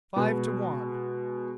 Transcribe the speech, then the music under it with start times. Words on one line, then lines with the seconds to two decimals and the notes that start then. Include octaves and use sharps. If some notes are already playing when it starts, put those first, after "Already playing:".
Five to one!
0.16 B2 G#3 B3 F#4